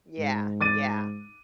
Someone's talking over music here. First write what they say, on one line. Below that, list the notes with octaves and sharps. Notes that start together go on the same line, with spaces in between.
Yeah, yeah.
G#2
D6 A6 D#7